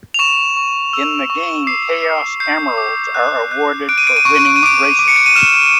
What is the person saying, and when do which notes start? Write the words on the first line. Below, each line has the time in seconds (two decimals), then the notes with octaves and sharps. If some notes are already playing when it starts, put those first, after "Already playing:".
In the game, Chaos Emeralds are awarded for winning races.
0.14 F7
0.19 C#6 E7
0.57 C#6
0.93 E6
1.30 C#6
1.67 D6 C7
2.04 D6
2.40 G6 C7
2.78 D6
3.14 F#6
3.51 F#6
3.89 F#6 D7
3.98 D#7
4.07 D7
4.17 D#7
4.25 C#6 D7
4.36 D#7
4.46 D7
4.56 D#7
4.63 D6 D7
4.99 D6
5.08 C#7
5.16 D7
5.26 D#7
5.36 F6 E7